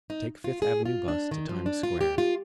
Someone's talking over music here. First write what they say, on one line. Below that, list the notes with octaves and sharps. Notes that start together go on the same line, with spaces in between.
Take Fifth Avenue Bus to Times Square.
D#4
F4
G#4
F4
D4
D#3
F3
D4
F4
G4
F4